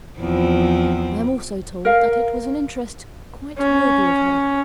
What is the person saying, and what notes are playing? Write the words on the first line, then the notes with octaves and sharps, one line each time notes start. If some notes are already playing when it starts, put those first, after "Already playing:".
I am also told that it was an interest quite worthy of her.
E2 F3 C4
A#4 F5
C#4